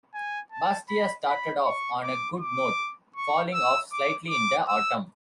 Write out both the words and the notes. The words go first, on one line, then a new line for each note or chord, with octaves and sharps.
Bastia started off on a good note, falling off slightly in the autumn.
G#5
A5
B5
B5
C#6
D6
D6
C#6
E6
D6
D6
E6